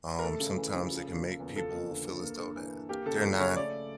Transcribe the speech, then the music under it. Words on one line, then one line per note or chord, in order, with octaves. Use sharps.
Um, sometimes it can make people feel as though that they're not
A#4
A3 A4
C#3
E3
C#3
F3
A#3
C#3
E2
F3 A4
A#3
D3
G2
A#3
G2
E3
G2
A#3 G4
C#3 A4
F3
C#3 C#5
A3 D5